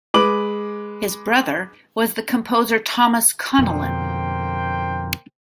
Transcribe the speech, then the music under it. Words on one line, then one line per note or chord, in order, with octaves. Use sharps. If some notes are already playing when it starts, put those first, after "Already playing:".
His brother was the composer Thomas Connellan.
G#3 B4 D6 F#7
F2 B2 D3 A#3 C5 G5